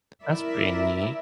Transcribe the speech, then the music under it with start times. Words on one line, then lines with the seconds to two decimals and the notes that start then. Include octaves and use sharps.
That's pretty neat
0.23 E4 A#4 D5 E5